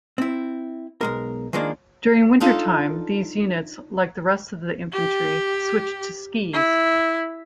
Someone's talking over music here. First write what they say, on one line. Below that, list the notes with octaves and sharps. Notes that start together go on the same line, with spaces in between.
During winter time these units, like the rest of the infantry, switched to skis.
C4 E4
B1 G#3 A#4
D#3 F3 G#3 A#3 D4
D4 D#4 F4 A4
G4
E4